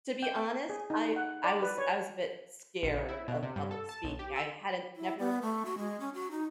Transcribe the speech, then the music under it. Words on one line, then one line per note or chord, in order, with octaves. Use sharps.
to be honest, I I was I was a bit scared of public speaking, I hadn't never
G5
G#4
D#4
F#5
D5
B4
C#5
A#1
C#3
E4
B2
C3
G2
A4
A5
B1
G4
E6
E4
B3
A3
F#4
G#3
C#4
F#4
D#4